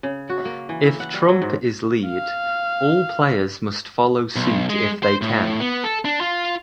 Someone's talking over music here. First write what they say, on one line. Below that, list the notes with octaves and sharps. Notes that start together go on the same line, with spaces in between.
If trump is lead, all players must follow suit if they can.
C#3
F#4
A#3
E3
E4
F#5
G3
F#3
G#2
F5
B1
G#3
C5
A2
B3
A4
D4
F4